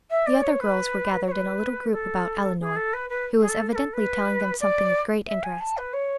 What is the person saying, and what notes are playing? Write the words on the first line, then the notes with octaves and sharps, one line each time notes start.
The other girls were gathered in a little group about Elinor, who was evidently telling them something of great interest.
E5
D5
C#5
B4
C#5
B4
A4
G#4
A4
B4
B4
G#4
A4
B4
A4
B4
D5
E5
G#5
A5
B4
C#5